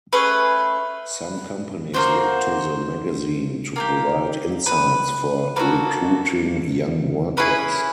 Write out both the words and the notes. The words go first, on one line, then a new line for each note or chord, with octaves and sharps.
Some companies looked to the magazine to provide insights for recruiting young workers.
A3 C#4 G#4 B4
A#3 D4 F#4 C5
A#3 D4 G4
B4
A#3 D#4 F#4 A4 B4
C#4 E4 G#4 B4